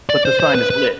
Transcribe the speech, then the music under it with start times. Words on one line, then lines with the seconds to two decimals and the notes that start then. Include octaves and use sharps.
But the sign is lit?
0.09 D5
0.25 C5
0.40 C5
0.55 B4
0.70 B4